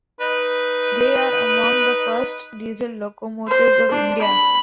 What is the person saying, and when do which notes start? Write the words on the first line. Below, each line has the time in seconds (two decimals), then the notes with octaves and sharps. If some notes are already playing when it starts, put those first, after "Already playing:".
They are among the first diesel locomotives of India.
0.21 D#4 B4
3.48 C5
3.91 D4
4.22 B5